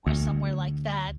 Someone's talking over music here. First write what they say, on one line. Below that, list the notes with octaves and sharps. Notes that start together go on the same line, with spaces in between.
or somewhere like that,
D2